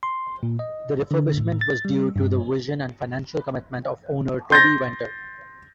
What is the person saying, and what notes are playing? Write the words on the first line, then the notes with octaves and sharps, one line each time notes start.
The refurbishment was due to the vision and financial commitment of owner Toby Venter.
C6
A#2
D#5
D3
A2
A6
G3
G2
C6 G6 A6 A#6